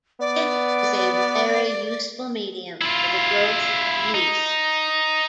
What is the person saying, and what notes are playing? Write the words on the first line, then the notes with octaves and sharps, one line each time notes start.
It is a very useful medium for the growth of yeast.
B3 D5
E4 F4
D#4